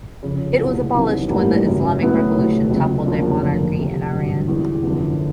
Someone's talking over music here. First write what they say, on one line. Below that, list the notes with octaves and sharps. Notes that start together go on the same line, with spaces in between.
It was abolished when the Islamic Revolution toppled the monarchy in Iran.
F2 C#3 F3
C2 A#2 F#3
C2 C3 D#3 F#3 B3
A1 G2 E3 G3 A#3
G#1 F#2 C#3 E3
A2 F#3 B3 E4
E1 D2 C3
C#2 C#3 F#3
D#2 C#3 F3 A#3 D4
F1 F2 D3 F3 A#3
F2 C3 F3
G#1 G2 D3 F#3
E2 C3 E3 G#3
F#2 D3 F3 G#3 B3